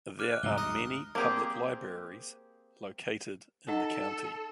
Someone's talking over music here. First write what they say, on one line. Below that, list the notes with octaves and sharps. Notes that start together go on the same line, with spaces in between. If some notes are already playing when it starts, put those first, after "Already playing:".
There are many public libraries located in the county.
D6 F6 F#6
G#2 C3 F#3 A#5 G7
D2 D#5
A#3 C4 G4 G#4
D#4 A4 D#5 F#5